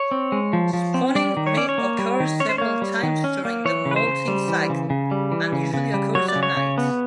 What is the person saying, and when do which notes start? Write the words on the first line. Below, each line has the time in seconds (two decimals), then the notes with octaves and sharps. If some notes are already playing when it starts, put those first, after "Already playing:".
Spawning may occur several times during the moulting cycle, and usually occurs at night.
Already playing: C#5
0.11 C4
0.32 G#3
0.53 F3
0.73 F3
0.94 C4
1.15 G3 D5
1.37 D#3
1.47 C#5
1.57 C#4 D5
1.69 C#5
1.78 A#3
1.99 G3
2.20 D#3
2.40 C#4 C#5
2.49 C5
2.58 A#3 C#5
2.82 G3
3.03 D#3
3.24 C#4
3.45 A#3
3.65 E3 C#5
3.85 C#3
3.91 B4
3.96 C5
4.07 C#3
4.28 G3
4.48 E3
4.70 C#3
4.90 C#3
5.11 G3
5.32 E3
5.52 C#3
5.74 C#3
5.94 G3
6.15 F#3 C#5
6.28 D5
6.36 C#3
6.43 C#5
6.57 C#3
6.78 B3